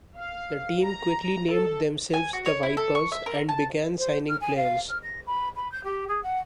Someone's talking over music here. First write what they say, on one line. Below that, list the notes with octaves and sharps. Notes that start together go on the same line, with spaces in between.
The team quickly named themselves the Vipers, and began signing players.
F5
A#5
A4
G#5
F#4
C#5
E4
A4
C#6
E5
A#4
A5
C5
F6
G#5
F5
F6
A#6
B5
B5
G6
G4
G#4
F#5